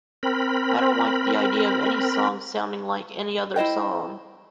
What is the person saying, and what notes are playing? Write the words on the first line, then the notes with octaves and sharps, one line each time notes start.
I don't like the idea of any song sounding like any other song.
C4 A#4 B5
E4 C5 D#5 G5